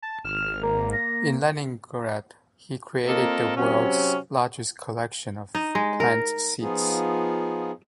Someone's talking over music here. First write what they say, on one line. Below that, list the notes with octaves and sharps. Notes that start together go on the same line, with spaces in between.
In Leningrad, he created the world's largest collection of plant seeds.
A5
G#1 F6 E7
A#3 A#5
A#6
A#3 C4 F4 A4 A#4 D#5
C3 F#3 C4 C#4
D#4
G#3
A#4
F3 B3 D#4 F4 G#4